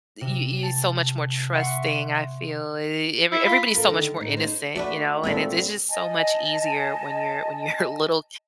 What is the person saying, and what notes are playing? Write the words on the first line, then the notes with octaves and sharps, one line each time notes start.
d y you you're so much more trusting, I feel. E every everybody's so much more innocent, you know, and it it's just so much easier when you're when you're a little
C3
A5
E5 F#5 C6 C#6
E4 E6
F4 B5
F4 A4 A#4
D3 D#3
A2 D#4
D#4 E4 G#4 C5
A3 D4 F#4 B4
A#2 G#3 A3 C4 A4 B5
D#5 G#5 A5